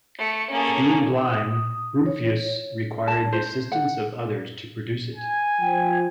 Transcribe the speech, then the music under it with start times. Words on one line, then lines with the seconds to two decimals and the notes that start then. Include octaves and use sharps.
Being blind, Rumphius required the assistance of others to produce it.
0.18 A3 C#7
0.51 A#3 C#4 G#4 A4
1.23 D#6
2.06 C#5
3.08 A5
3.32 C5
3.72 F#5
5.15 G#5
5.61 F3 G5